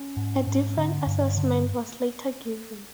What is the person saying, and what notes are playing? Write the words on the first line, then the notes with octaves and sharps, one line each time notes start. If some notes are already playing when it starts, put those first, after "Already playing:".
A different assessment was later given.
Already playing: C#4
G#2
G#2
D3
G2
D3